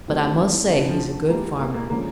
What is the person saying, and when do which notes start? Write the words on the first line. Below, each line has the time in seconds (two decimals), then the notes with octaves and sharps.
But I must say he's a good farmer.
0.08 D#3 F#3 A3 C4 D#4 G4
0.38 E3
0.69 F#3 B3 D4
0.79 E3
0.89 F3
1.29 G#3 A#3 B3 E4 G4
1.59 A#3
1.75 A#3
1.90 D3 F3 G#3 A#3 C#4